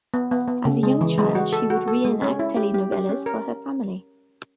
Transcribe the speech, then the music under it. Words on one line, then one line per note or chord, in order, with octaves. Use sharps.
As a young child, she would reenact telenovelas for her family.
B3
B3
B3
C#3
G#3
E3
G#3
F#4
A4
F#4
A4
G#3
C#4
E4
G4
G4
G4
C#4
A#4